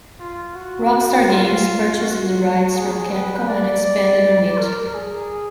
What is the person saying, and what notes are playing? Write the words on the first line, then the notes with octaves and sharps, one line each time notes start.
Rockstar Games purchased the rights from Capcom and expanded on it.
F4
F#4
F4
F#4
G#4
B4
D5
D5
A#4
G#4